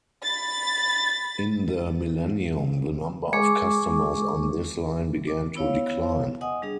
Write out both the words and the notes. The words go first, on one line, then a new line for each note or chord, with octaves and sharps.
In the millennium, the number of customers on this line began to decline.
B5 A6
G#3 G#4 C#6 D6
D6
B3 E4 C#5 F5
D#5 F#5 G#5 D#6
G3 D4 G#4